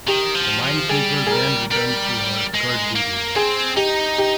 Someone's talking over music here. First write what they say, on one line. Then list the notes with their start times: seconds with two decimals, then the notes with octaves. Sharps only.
The minesweeper then returned to her escort duties.
0.07 D#3 G4
0.35 F3
0.62 F3
0.89 G3 G#4
1.27 G#4
1.30 A#4
1.71 G3 A#4
2.54 G#3
2.95 A#3
3.35 C4 G#4
3.76 D#4 G4
4.18 G4